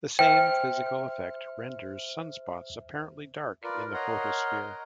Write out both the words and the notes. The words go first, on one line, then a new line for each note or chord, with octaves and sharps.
The same physical effect renders sunspots apparently dark in the photosphere.
C5 E5 G5 F6
F4 A#4 B4 D5
A#4 C#5 D#5 F#5 A#5 C6